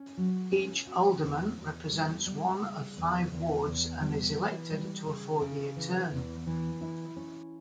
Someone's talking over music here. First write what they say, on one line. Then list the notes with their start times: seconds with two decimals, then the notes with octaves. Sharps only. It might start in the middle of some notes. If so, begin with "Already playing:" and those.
Each alderman represents one of five wards and is elected to a four-year term.
Already playing: C#4
0.17 F#3
0.52 C#4
0.87 F#4
1.22 E2
1.57 E2
1.91 G3
2.27 G3
2.61 C#3
2.97 E2
3.32 E2
3.66 E2
4.01 G3
4.37 E3
4.71 G3
5.07 C#3
5.41 C#3
5.76 E3
6.11 E2
6.47 E3
6.81 E4
7.16 C#4